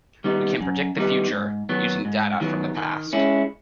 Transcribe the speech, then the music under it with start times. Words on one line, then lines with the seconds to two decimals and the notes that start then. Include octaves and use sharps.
We can predict the future, using data from the past.
0.24 D#3 G3 B3 D#4
0.61 F#2
0.96 D#3 G3 B3 D#4
1.33 G#2
1.69 D#3 F#3 B3
2.05 G#2
2.41 D#3 F#3 B3
2.77 D#3
3.13 G#3 C#4 E4